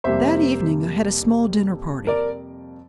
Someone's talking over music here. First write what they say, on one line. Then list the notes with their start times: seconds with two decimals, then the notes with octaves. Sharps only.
That evening I had a small dinner-party.
0.04 F2 C3 G3 A#3 C5 E5
2.07 A#4 D5